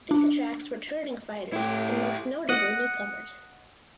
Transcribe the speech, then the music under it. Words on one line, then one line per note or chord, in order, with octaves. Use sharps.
This attracts returning fighters and most notably newcomers.
D4
A2 E4 G4
D#5 F#5